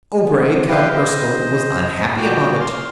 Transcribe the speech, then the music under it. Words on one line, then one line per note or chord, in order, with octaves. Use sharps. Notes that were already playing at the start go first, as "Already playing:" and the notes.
Obray, Count Erskyll, was unhappy about it.
B3
E4 G4 B4 F5 G5
C5 D#5
A#2 G3 F#4 G5 D6
C6 F6